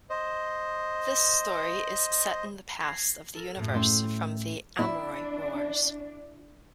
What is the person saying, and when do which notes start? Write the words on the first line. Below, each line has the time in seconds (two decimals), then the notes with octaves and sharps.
This story is set in the past of the universe from the Amory Wars.
0.10 C5 D#5
2.80 G#6 A#6 C7
3.35 A4 A#4
3.56 F#2 A2 A3
3.74 A3 C#4 E4 G5 C6 E6
4.79 D4 E4